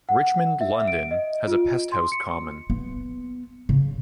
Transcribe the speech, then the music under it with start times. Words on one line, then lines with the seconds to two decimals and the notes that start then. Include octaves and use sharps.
Richmond, London has a Pesthouse common.
0.09 F#5
0.61 E5
0.88 D7
1.11 D#5
1.48 F4
1.92 C6
2.12 C#7
2.70 B3
3.69 C#3